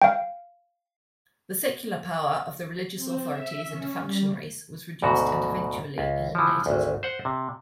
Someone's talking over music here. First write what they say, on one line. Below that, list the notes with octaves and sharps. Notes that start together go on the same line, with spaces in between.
The secular power of the religious authorities and functionaries was reduced and eventually eliminated.
F5 G5
C4
E5
C#4
G3
D2 G#2 B2 F#4
C#2
E3 F3
G#1 D2
C5 F#5
C3